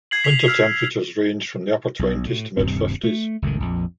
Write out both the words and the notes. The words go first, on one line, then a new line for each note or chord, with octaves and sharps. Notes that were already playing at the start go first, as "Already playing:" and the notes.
Winter temperatures range from the upper twenties to mid fifties.
G#6 C7 F#7
B6 F7
E6 F6 B6 C7
B1
A2
D#1 G2 C3 C4
A3
F#1 C#2 A2 D#3
A#1 F2